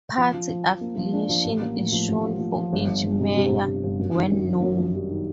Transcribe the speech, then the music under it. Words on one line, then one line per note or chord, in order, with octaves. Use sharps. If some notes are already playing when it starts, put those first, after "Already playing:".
Party affiliation is shown for each mayor, when known.
F3
F3
F3
F3
A#3
F3
D4
F3
A1
A#3
A2
F3
A1
F3
F3
F3
G1
G1
G1
C3
C3
C3
C3
G1
F#2
D#3
F#2
D#3
F#2
F#2
G3
D#3